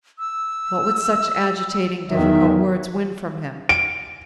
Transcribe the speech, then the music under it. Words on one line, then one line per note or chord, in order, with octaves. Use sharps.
What would such agitating, difficult words win from him?
E6
E2 D#3 F#3 E5
D7